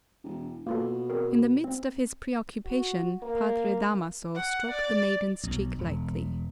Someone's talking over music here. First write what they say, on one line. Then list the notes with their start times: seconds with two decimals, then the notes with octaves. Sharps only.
In the midst of his preoccupation Padre Damaso stroked the maiden's cheek lightly.
0.23 E1
0.67 B2 A#3 F4 A4
1.10 C4 G#4 A#4
1.64 C4
2.65 F#4
3.23 A#3
4.35 F#5
4.71 D5
5.43 B1
5.79 E1